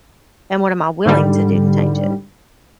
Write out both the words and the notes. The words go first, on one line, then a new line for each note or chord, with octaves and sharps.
and what am I willing to do to change it?
G#2 D3 G3